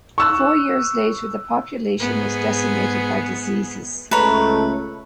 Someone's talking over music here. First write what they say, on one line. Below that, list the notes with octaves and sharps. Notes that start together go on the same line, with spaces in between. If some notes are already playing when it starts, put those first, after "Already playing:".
Four years later, the population was decimated by diseases.
C#6 E6 F#6
G#2 B3 G#4
C#2 A3 B4 C#5 A5 A#5